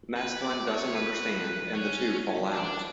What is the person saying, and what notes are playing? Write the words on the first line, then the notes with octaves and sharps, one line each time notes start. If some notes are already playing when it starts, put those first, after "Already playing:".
Masklin doesn't understand, and the two fall out.
B4
D5
C#5
B4
C#4
D4